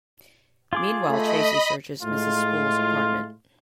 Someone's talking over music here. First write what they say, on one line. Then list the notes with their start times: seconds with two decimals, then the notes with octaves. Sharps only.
Meanwhile, Tracy searches Mrs. Spool's apartment.
0.73 F4 G#4 D6
1.09 A3 D#5 B5
2.02 A2 G#3 F4